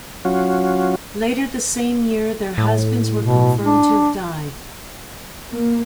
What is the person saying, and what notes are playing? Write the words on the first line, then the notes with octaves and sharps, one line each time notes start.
Later the same year their husbands were confirmed to have died.
F#3 C#4 F4 F#4
A2
B2
D4
A#3